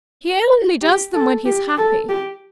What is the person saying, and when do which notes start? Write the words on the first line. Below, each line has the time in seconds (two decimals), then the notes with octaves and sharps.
He only does them when he's happy.
0.82 G4
1.14 A4
1.46 G4
1.78 A4
2.09 G4